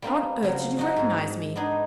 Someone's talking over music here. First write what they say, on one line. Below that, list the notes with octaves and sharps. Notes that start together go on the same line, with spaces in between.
How on earth did you recognise me?'
G3 A#3 C4 D4 B4 F5
C#3 F3 F#3
D4 D#4 F#4
G#2 G#4
B3 D4 D#4 G#4